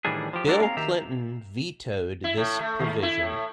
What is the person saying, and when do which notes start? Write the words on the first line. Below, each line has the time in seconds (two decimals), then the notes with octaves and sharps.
Bill Clinton vetoed this provision.
0.05 A2 D#3 E3 G3 D4 G#4
0.33 F3 G4
0.46 F#3 A3 B3 D4 A4 A#4
0.61 A#3 C4 F5 A#5
0.77 D#3 G4 E5 A#5
2.24 E4
2.37 A2
2.60 A3
2.79 D#2
3.03 E4
3.23 A2